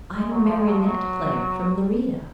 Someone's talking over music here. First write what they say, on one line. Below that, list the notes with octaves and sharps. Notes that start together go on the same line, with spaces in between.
I am a marionette player from Lerida.'
G#3
F#3
F3
G#3
F#3
F3
F#3